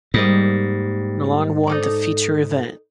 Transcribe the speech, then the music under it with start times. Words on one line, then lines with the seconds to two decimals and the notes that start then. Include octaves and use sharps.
Nalon won the feature event.
0.14 G#2 G3 A#3 D#5
1.67 D#4 A4 D5